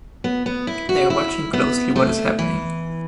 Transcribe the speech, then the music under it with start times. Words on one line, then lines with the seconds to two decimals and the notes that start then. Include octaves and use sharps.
They're watching closely what is happening.
0.24 B3
0.46 B3
0.67 E4
0.89 F#4
1.10 E4
1.53 B3
1.96 A3
2.39 E3